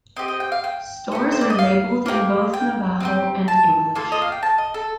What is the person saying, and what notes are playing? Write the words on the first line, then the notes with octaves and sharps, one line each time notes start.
Stores are labeled in both Navajo and English.
C4 G4 D#5
D#5
G5
F5
G5
A3 D#4 G4
C5
D5
D#5
F5
A#3 D#4 G4
G5
C4 D#4 G4
A5
A#3 F4 A4
D#5
F5
G5
A5
D#5
A4